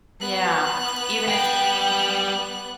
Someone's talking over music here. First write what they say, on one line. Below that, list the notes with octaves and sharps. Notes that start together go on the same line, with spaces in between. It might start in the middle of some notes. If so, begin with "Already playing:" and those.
Yeah, even if
B3 F#6
G3 G5